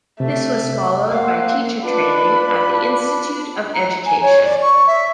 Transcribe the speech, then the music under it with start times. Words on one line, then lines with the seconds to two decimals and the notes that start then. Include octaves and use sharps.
This was followed by teacher training at the Institute of Education.
0.20 C3 A3
1.12 A#3 C4 F5 F#5
1.84 D4 F4 B4 B5
3.74 A#5
4.06 G#5
4.22 C#5
4.44 D5
4.62 C#6
4.87 E5